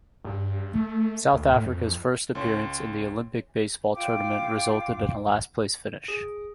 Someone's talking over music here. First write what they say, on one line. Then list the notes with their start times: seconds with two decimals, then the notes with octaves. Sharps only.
South Africa's first appearance in the Olympic baseball tournament resulted in a last-place finish.
0.25 G2
0.74 A3
1.33 D2
1.52 A2
1.64 F2
2.35 C#2 C#5 C6
3.94 F4 F5 G5 D6
6.08 G#4